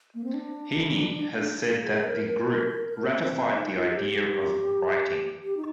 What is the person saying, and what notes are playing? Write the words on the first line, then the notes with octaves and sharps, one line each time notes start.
Heaney has said that the group "ratified the idea of writing".
A#3
C4
D4
G#4
A#4
A#4
A#4
A#4
A#4
C4
C4
D#4
F4
G#4
G4
G4
D#4